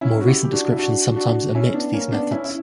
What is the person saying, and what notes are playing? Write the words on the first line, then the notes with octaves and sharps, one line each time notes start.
More recent descriptions sometimes omit these methods.
C#4 E4
F#4
E4 G4
G4
D4 F#4
E4
D4 F#4
D4 F#4
C#4 E4
B3 D4
A#3 C#4
B3 D4
C#4 E4
E4